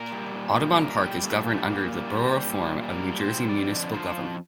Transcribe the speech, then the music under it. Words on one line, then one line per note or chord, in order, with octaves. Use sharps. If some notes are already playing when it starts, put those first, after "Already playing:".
Audubon Park is governed under the Borough form of New Jersey municipal government.
Already playing: A#2 A#4
G3
A#2
G3
A#2 A#4
G3 G4
A#2 A3
G3 A3
A#2 A#3
G3
F4
A#2 G4
G3
A#2
G3
A#4
A#2
C5
G3
F2 D5
D3
F3 C5
F2